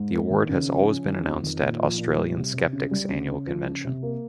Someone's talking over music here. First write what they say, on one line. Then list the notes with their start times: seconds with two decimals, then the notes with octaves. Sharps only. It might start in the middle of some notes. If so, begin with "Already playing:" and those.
The award has always been announced at Australian Skeptics' annual convention.
Already playing: G#2
0.12 A#3
0.30 D#3
0.49 C#3
0.68 F3
0.87 C#4
1.05 D#3
1.23 F2
1.43 D#3
1.61 A#2
1.80 F3
1.98 A#2
2.16 G3
2.36 C3
2.53 C3
2.73 C#3
2.91 G3
3.09 C#3
3.28 C#3
3.47 F3
3.66 C#3
3.84 C3
4.03 A#3